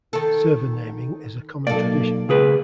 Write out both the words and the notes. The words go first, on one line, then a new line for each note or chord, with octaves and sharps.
Server naming is a common tradition.
D#3 A4
B1 A#3 A4 D5
C#3 G#4 B4